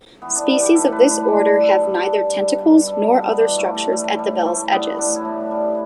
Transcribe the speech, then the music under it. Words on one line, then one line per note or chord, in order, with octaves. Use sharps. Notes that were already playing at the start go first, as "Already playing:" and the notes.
Species of this order have neither tentacles nor other structures at the bell's edges.
E3 B3
D4
G3 D4
G4
A2 A4
B4
A2
B4
D3 D5
B4
G3
A4
G2
G2
G3
B2
G3 A4
B2
B3
E3 D4
A3
G3
A3
A2 A3
A2 G3
E3 A3
G3 B3
A2 D4
E4
A2
G3